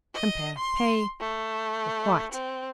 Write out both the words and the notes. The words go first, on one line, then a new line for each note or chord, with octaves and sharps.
Compare PAY; REQUITE.
D#5
C6
A3
C4